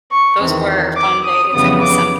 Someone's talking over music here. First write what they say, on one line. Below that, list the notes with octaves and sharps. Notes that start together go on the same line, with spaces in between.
those were fun days. I miss 'em.
C#6
E2 C3 D#3
D6
D#6
F2 C#3 E3 G3 B3 D#6
D6